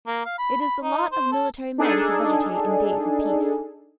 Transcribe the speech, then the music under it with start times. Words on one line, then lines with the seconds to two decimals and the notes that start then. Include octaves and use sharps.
It is the lot of military men to vegetate in days of peace.
0.07 A#3
0.25 F5
0.38 B5
0.61 B5
0.82 D#4
1.12 C5
1.32 A4
1.78 D4 D#4 G#4 A4